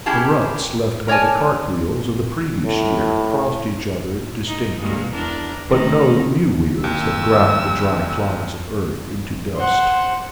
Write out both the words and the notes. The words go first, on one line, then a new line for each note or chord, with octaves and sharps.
The ruts left by the cart-wheels of the previous year crossed each other distinctly, but no new wheels had ground the dry clods of earth into dust.
G3 C#4 E4 G4 G#4 A5
A#4 C#5 D5 G#5 A5
A2
D#4
G2 G#3 A#3
E2 D4 A#4
D#3 A3
D#2 E6
C5 F#5